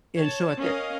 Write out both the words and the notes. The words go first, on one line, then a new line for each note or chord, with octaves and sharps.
And, so, at that
C#5 A5
C#4 A#4 D#5 F5